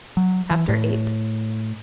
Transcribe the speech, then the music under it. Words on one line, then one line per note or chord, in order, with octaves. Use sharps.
Chapter VIII.
F#3
E3
A2